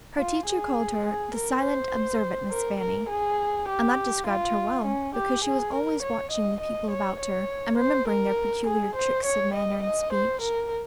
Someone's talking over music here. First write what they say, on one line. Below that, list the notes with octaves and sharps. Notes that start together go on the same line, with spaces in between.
Her teacher called her "the silent, observant Miss Fanny," and that described her well, because she was always watching the people about her, and remembering their peculiar tricks of manner and speech.
F4
G#4
G#4
A#4
C5
A#4
A#4
G#4
G4
F4
C#4
G4
G#4
A#4
C#5
D#5
D#5
C#5
C#5
C5
A#4
G#4
C5
C#5
D#5
D#5
C5
A#4